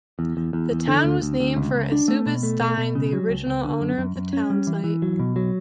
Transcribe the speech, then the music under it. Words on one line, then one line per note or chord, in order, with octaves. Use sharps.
The town was named for Eusebius Stine, the original owner of the town site.
E2
E2
E2
E2
D3
D2
D2
D2
C#2
C#2
D4
A3
B2
A3
B2
B2
C#3
F#3
C#2
C#2
D3
F#2
F#2
F#2
C#4
G3
E3
E3
F#3
B2
F#3